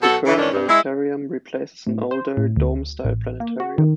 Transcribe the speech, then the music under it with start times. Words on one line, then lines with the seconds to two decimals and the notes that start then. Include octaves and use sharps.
The current planetarium replaces an older, dome-style planetarium.
0.01 B2 F#3 F#4 A4
0.25 C#3 E3
0.37 G#2 D#3 E3 C#4 D4
0.52 G2
0.68 G#3 E4
1.87 A2
2.11 C5
2.37 A2
2.56 D2
3.05 A1
3.40 A#3
3.60 F#4
3.78 D#3